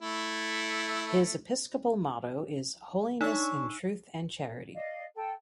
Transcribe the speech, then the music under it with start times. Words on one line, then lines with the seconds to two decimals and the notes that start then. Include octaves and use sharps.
His episcopal motto is "Holiness in Truth and Charity".
0.01 A3 E4
3.21 D4 D#4 C#5 E6
4.74 D5 D#5 F5
5.16 A4 G5